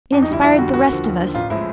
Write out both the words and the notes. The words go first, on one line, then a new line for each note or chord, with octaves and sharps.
It inspired the rest of us.
F2 D4
D#4
D3 G3 E4
F2 E4
D3 G3 F#4
D#2 F#4
D3 F3
D#2
D3 F3
A1 F4
A2 F3 G#3 E4